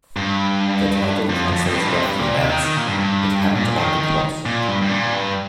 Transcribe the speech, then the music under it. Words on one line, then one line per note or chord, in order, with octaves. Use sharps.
The title translates roughly as "It Happened on the cross".
G2
F2
F2
F2
G2
C3
G2
A#2
C3
D#3
D#3
A#2
G2
G2
A#2
D#3
D#3
A#2
G2
G2
A#2
G2